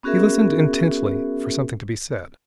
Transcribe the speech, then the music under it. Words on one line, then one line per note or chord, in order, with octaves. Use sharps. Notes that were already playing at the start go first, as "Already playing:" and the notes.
He listened intently for something to be said.
B3 C#4 F#4 G#4 A#4 E5